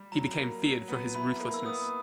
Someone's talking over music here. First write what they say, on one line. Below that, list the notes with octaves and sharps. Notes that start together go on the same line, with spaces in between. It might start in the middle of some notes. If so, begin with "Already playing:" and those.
He became feared for his ruthlessness.
Already playing: G3
F#3 A#5
A#3
F#3
B3
E4 B5
A#3
E6
B3 D#6